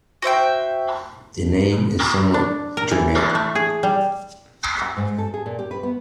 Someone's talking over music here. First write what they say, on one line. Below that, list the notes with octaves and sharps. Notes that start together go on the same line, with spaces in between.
The name is somewhat generic.
F#4 C5 E5 G5
D4
A#4
E3
A3
G#4
G3
F#5
G#2
A4
G#4
A#2
G4
B4
B3